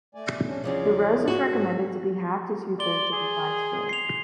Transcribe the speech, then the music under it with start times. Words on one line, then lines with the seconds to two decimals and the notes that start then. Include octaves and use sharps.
The rose is recommended to be half to two-thirds of the flag's width.
0.15 A3 D5 G#5
0.47 C#4 D4
0.64 E2 C#3 F3 C#4 G#4 D5
1.28 F#4
1.47 G#2 C#4 A4
2.79 D5 C6 G7
3.12 G#4
3.89 C7 F7